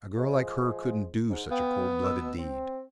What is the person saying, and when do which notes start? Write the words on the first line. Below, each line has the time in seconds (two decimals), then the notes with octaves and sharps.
A girl like her couldn't do such a cold-blooded deed.
0.17 F3 G#3
1.30 G#2
1.51 B3 F5 G5
2.02 B2 E6
2.38 C4